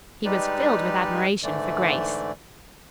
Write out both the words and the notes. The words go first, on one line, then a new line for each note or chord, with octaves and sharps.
He was filled with admiration for Grace.
G3 G#3 D#4 G4 B4 D5
G#2 D3 E3 A3 D5